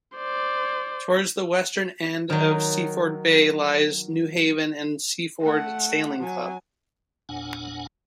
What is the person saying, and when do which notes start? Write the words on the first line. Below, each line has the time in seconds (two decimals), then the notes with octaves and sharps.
Towards the western end of Seaford Bay lies Newhaven and Seaford Sailing Club.
0.17 C5 D5
2.30 D#3 F#3
5.41 A3 F#5
6.20 F#3 G#5
7.29 F#1 E2 A#2 D4 F#5 G#5